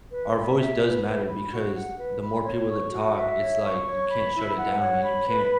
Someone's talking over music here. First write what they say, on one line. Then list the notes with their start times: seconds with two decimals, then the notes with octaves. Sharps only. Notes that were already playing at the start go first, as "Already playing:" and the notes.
our voice does matter, because the more people that talk, it's like, you can't shut it down, and you can't
0.11 B4
0.34 B5
0.57 E5
0.81 B4
1.05 B4
1.28 B5
1.52 F#4
1.75 F#5
1.98 B4
2.22 B5
2.45 C#5
2.69 C#6
2.92 F#4
3.16 E5
3.39 C#5
3.63 C#6
3.86 C#5
4.10 B5
4.34 E4
4.57 F#5
4.80 C#5
5.04 B5
5.27 B4